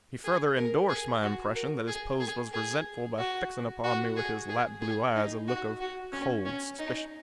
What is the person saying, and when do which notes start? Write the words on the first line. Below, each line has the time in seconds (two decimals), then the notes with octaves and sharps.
He further endorsed my impression that his pose was resentful by fixing upon me with his light blue eyes a look of cold suspicion.
0.24 G#4
0.57 A#4
0.89 G#4
1.22 F#4
1.55 A#4
1.87 G#4
2.20 G#4
2.53 G#4
3.18 F#4
3.84 F#4
4.17 G#4
4.49 G#4
4.81 G#4
5.15 D#4
5.48 F#4
5.80 F#4
6.13 C#4
6.45 C#4
6.79 D#4